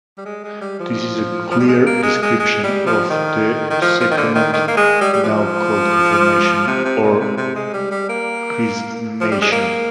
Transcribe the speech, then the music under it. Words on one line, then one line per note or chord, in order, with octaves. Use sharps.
This is a clear description of the sacrament now called confirmation or chrismation.
G3
G#3
G#3
G3
F3
F3
G3
G#3
A#3
G#3
G#3
G#3
G3
F3
D#3
D#3
F3
F3
D#3
D3
D#3
D#3
A#3
G#3
G3
G3
F3
C3
C3
A#2
C3
C3
G#3
G3
G3
A#3
F3
G3
G#3
A#3